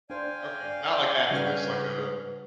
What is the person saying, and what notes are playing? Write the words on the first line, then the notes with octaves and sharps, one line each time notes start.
Okay, not like activists like a
D4 C5 D5 F5 G5 G#5
C#3 G3 C#4 D4 F#4 B4 F6